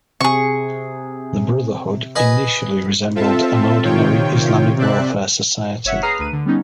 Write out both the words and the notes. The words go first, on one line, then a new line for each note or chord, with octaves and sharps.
The Brotherhood initially resembled an ordinary Islamic welfare society.
C3 G#4 C#6
B4 D#5 G#5
C4 F4 A4 E5 A5
C3 D#3 F4 C#5 G5
C3 C4 D5 E5 F#6
G1 C#5 E5 F#5
G#4 B4 A#5 D#6 F6 C7
D2 B4 D#7
D3
G3 B3 C#4 D#4